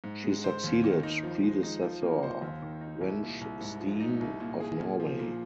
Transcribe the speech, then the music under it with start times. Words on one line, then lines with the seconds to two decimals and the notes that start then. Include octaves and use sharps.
She succeeded predecessor Wenche Steen of Norway.
0.04 G#2
0.24 G#3
0.44 C5
0.64 D#2
0.84 D#3
1.03 D#4
1.23 F3
1.43 G#3
1.63 D#4
1.83 F3
2.02 A#3
2.23 C5
2.42 D#2
2.62 D#3
2.81 D#4
3.01 C2
3.22 A#2
3.41 C2
3.61 G#2
3.80 F3
4.00 D#4
4.20 C2
4.40 A#2
4.60 G#4
4.80 A#2
5.00 F3
5.19 A#2